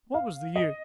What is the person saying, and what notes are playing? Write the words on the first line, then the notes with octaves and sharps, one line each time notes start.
What was the use!
F5
D#5